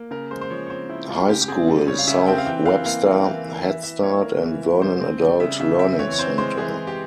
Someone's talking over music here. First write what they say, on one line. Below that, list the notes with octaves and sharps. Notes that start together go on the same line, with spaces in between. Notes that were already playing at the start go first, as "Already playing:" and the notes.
High School, South Webster Headstart, and Vernon Adult Learning Center.
Already playing: A#3
C#3 A#4
G#3 C5
C5
F3 C#5
C#5
C4 C5
C#3 E4
G#3 F4
C#3 G4
G4
C4 G#4
G3
C#3 C#5
F5
C#3 E5
C4 G5
F5
E3 G5
E3 F5
A#3 F5
A#3
E3
E3
E3 E5
E3 E5
A#3 C#5
A#3 A#4
E3
E3
C#3 C5
C4
G3
C#3 E5
C#3 E5
C4 E5
E3 C#5
C#5
C4 C5
G#3 C5
E3 G#4
E3
G4